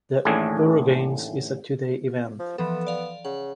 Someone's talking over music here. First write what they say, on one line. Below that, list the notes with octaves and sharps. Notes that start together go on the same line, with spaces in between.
The EuroGames is a two-day event.
A1 D#2 A2 A3 D4 G#4
F3
E3 F3 B3 A4
D5 F5
C#3 F#5